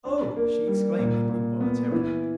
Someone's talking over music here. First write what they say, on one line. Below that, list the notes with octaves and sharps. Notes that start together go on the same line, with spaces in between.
"Oh!" She exclaimed it involuntarily.
D4
A#3
G3
A#2
A#2
B3
E3